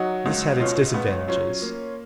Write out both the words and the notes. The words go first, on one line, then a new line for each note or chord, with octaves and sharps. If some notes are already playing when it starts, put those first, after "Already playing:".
This had its disadvantages.
Already playing: F#3 D#4 F#4
C#2
B2 C#4 F4
C#2 B3
C#4
F#3 C#4 F4
A#3